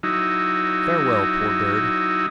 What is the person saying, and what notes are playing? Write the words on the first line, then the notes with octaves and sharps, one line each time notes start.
Farewell, poor bird!
F#3 D#4 E4